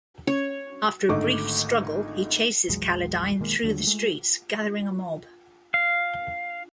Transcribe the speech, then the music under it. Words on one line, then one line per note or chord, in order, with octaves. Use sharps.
After a brief struggle, he chases Kaledine through the streets, gathering a mob.
C#4 C#5
G#1 D3 A3 D#4 C#6 D6
A#1 E2 F#3 G#3
B1 D#3 G#3 A#3
D#2 D3 F#3
G#3 A3
F5